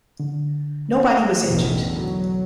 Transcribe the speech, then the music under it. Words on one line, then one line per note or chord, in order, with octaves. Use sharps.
Nobody was injured.
D3
A1 E2 B2 D3 D#3
F#3